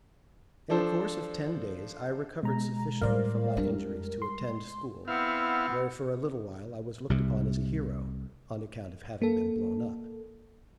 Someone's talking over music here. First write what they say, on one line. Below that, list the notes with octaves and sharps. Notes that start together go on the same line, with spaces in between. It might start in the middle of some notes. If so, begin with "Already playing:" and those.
In the course of ten days I recovered sufficiently from my injuries to attend school, where, for a little while, I was looked upon as a hero, on account of having been blown up.
F3 D4 A4 C5
B2 G#3 A#5
A2 G3 A#4 C5 D5 F5
F2 G3 D4
C6
B3 C4 E4 F5 F#5
C2 C3
A#3 A4